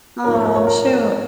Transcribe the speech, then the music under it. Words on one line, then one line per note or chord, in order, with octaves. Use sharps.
Aw, shoot.
G#2 F3 C#4 A#4
C#5
A#4
C#5
A#4
C#5
A#4